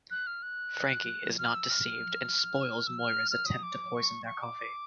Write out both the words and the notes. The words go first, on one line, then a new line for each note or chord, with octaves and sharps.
Frankie is not deceived and spoils Moira's attempt to poison their coffee.
F#6
F6
F#6
F6
E6
F6
E6
F6
F6
D#6
D6
C#6
C#6
D6